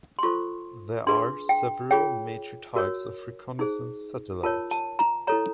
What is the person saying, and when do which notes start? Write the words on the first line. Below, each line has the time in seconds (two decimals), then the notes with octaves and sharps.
There are several major types of reconnaissance satellite.
0.19 C6
0.23 F4 A4 C5 C#6
1.07 D4 F4 G#4 B4 C6
1.49 G5
1.91 F4 G#4 C#5 G5
2.76 F#4 A#4 C#5
3.59 D#4 G#4 C5
4.43 F4 A#4 C#5 A5
4.71 A5
4.99 A#5
5.27 E4 A4 C#5 A#5